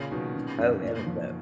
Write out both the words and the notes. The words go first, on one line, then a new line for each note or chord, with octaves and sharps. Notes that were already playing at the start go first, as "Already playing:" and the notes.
Oh, heavens no.
Already playing: A#2 C#3 A#3
B2 D#3 F#3
C#3
F#2
A#3
F3